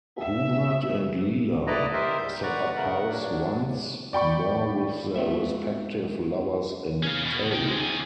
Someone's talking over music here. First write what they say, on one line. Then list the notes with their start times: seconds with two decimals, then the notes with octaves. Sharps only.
Hubert and Leila set up house once more with their respective lovers in tow.
0.18 E5
1.67 E4 A4 B4 D5 D#5 A#5
1.93 G4 A#4 C5 D#5 E5
2.18 G#2 G3 G6
2.43 B4 D5 F#5 A#5 C#6
2.77 C#3 A3 A#4 F#5
3.09 F#3 D4
4.13 D5 G5 B5 C#6
5.16 G#3 A#3 C4 F#4 E5
7.03 C#4 F5
7.25 B2
7.51 D#3 G5
7.68 F#2 G#3
7.80 E2 G#5